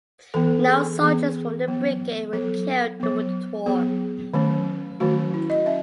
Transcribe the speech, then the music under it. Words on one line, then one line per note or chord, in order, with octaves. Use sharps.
No soldiers from the brigade were killed during the tour.
E3 B3 A4
G#4
E3 B3 G#4
F#3 B3
F#3 B3 A4
F#3 B3
F#3 B3 G#4
D#3 F#3 A3 C#4
D#3 F#3 A3 C#4 F#4
E4
D#5
C#4 E5